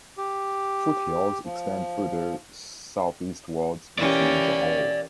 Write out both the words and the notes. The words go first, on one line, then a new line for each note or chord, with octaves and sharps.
Foothills extend further southeastwards into Johor.
G4
F3
E3 C#4 G4 A#4 D5